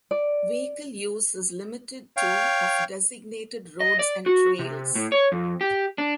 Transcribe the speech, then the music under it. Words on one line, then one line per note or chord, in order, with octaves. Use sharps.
Vehicle use is limited to of designated roads and trails.
D5
C#5 F5 G5
D#5
D5
F#4
C3
A2
C#5
F2
G4
D4